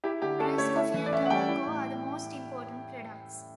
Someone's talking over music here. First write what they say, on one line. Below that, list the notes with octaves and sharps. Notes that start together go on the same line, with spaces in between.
Rice, coffee and tobacco are the most important products.
E4 G4
D3 G4
C#4 A4
A3 C#5
E4 E5
E3
D5
C#4 E5
F#5
G3 G5
E4
A2